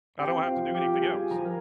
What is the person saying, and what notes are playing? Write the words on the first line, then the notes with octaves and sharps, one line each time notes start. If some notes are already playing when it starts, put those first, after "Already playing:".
I don't have to do anything else.
C4 G4 G5
C4
F4 F5
F3
F4 G4 G5
G3
G#4 G#5
F4
F3 A#5
G#5
A#4